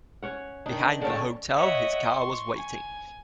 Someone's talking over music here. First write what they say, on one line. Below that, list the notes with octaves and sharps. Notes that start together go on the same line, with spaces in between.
Behind the hotel his car was waiting.
C#4 C#5 F#5
D#3 D4 D#4
D3 G#3 C#4 C#5 G5 A5
C#5 D#5 E5 F#5
C6 C#6
G#5